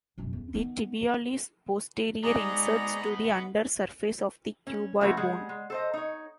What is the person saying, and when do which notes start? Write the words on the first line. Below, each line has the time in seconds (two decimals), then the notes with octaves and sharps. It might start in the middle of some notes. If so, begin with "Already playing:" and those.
The tibialis posterior inserts to the under surface of the cuboid bone.
0.18 E1 F#2
0.33 E2
0.54 D#3 B3
2.23 G#3 B3 C4 D#4 F#4 G#4 D5 A#5
4.67 C#4
5.01 C#3 F3 G#3 A3 B3 F#4
5.17 G3 G#3 G#4 F#5
5.49 G#3
5.70 A4 C5 D#5
5.94 D#4 C#5